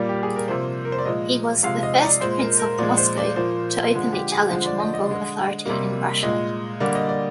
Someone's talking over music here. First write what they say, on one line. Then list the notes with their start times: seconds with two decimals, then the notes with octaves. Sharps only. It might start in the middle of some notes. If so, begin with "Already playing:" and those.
He was the first prince of Moscow to openly challenge Mongol authority in Russia.
Already playing: A#2 G3 A#3 D5
0.09 G4
0.23 G#4
0.36 A#4
0.48 C3 F3 A#3 C5
0.85 A#4
0.92 C5
0.98 D5
1.05 A#2 F3 G#3 D#5
1.63 C3 F3 G#3 F5
1.83 D#5
2.02 D5
2.20 A#2 G#3 C5
2.40 A#4
2.59 A#4
2.78 A#2 F3 G#3 D5
2.98 C5
3.17 D5
3.35 A#2 F3 A#3 C5
3.94 D3 F3 G#3
4.13 G4
4.32 G#4
4.50 D3 F3 G#3 C5
4.66 D5
4.80 D#5
4.94 D#5
5.09 D3 G#3
5.66 C3 G3 A#3
6.23 A#2 G#3 D#5
6.80 D3 G3 A#3 D5
6.95 D#5
7.09 D5